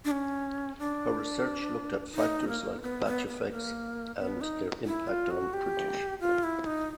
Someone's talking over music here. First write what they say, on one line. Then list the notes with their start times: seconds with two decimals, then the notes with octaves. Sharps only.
Her research looked at factors like batch effects and their impact on prediction.
0.05 D4
0.11 C#4
0.79 D4
2.14 D#4
2.48 A#3
2.79 C4
2.82 B3
3.05 B3
3.27 B3
3.51 A#3
4.18 B3
4.41 D#4
4.86 E4
5.08 F4
5.31 F#4
5.53 G4
6.21 F4
6.43 E4
6.66 D#4